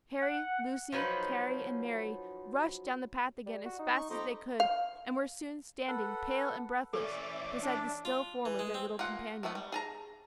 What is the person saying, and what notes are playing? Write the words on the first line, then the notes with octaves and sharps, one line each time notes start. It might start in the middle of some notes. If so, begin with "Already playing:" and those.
Harry, Lucy, Carry, and Mary, rushed down the path again as fast as they could, and were soon standing pale and breathless beside the still form of their little companion.
F#5
F3 F#3 D#4 B4
G3
F#4
D#4
C#6
F2 G3 D#4 C5
F5
A4 B4 F#5
E3 C#4 A4 D5 E5 D6
D4
F4
E3
G#3
C4
A#3 F4 G#4 F#5
D#3 E3 A3 B3
G3
G#4 A5 A#5